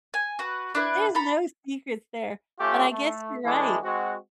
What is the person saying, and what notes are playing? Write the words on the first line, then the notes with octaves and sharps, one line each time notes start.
There's no secrets there, but I guess you're right.
G#5
F#4 B4
D4 E4 B4
A4 A#5 B5
A3 C#4 F4 G4
A3
E3 G#3 A3 D4 E4
G#3 C4 F#4